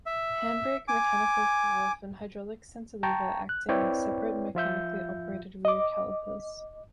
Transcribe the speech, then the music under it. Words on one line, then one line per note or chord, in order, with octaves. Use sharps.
Handbrake, mechanical fly-off and hydraulic centre lever acting on separate, mechanically operated rear calipers.
E5
G#5 D6
G5 A5 A#5 C#6
F#6
C4 E4 B4 C#5 D5 G5
F3 F4 E5 G6
D#5 D6